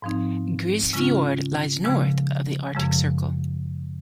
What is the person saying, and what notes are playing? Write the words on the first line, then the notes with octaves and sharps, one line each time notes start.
Grise Fiord lies north of the Arctic Circle.
G#2 F3 C4 D#4
C#3 G#3 C#4 F4
C#3 F3 G#3
F#2 C#3 F3 G#3